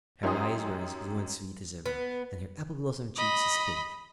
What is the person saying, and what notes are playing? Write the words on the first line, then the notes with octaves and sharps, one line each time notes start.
Her eyes were as blue and sweet as ever, and her apple-blossom cheeks as pink.
F#2 C#4 D#4 G4 C6 D#6
B3
D#5 B5